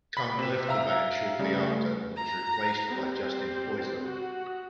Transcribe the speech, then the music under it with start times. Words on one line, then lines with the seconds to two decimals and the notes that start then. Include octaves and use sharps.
Cone left the band shortly after and was replaced by Justin Poyser.
0.17 B5 B6
0.39 C3 E7
0.69 E5 F5 A#5 E6
1.39 C#3 G3 A3
2.16 A#5
2.91 G3 C4
4.03 F#4